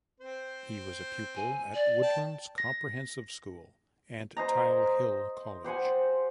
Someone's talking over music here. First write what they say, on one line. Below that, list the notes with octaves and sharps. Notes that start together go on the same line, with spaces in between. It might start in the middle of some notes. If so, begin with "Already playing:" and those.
He was a pupil at Woodlands Comprehensive School and Tile Hill College.
C4 C5
G#5
D5
G5 A5
A#6
C5 D#5 A#5
G4 C5 F#5 G#5